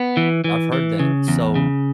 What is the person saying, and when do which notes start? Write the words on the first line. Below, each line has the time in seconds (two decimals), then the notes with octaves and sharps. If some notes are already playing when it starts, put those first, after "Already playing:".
I've heard that, so,
Already playing: B3
0.17 E3
0.44 E3
0.72 E3
1.00 C#3
1.28 E2
1.55 C#3